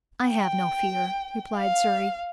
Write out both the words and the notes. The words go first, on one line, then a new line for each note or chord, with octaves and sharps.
"I have no fear," replied Surrey.
G5
F5